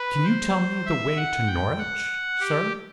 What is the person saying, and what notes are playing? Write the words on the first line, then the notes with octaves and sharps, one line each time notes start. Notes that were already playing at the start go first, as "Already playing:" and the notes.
"Can you tell me the way to Norwich, sir?"
Already playing: B4
C5
E5
F#5
G5
F#5
G4